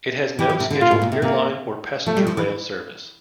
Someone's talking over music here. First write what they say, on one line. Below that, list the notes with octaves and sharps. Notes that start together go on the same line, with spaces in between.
It has no scheduled airline or passenger rail service.
E3 G4
E3
C3
D3
A#2 F4
A2
A#2
C3
C3 A#3
F3 A3
G3
F3
E3